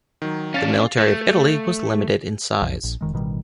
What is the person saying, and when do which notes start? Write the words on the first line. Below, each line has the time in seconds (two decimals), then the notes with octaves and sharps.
The military of Italy was limited in size.
0.22 D#3 F#3
0.54 C#4 D4 F5 A6
0.97 A3
2.62 B1 F2 F3
2.84 A#1
3.01 F1 D#3 G#3
3.13 A1 B2 D#3 G3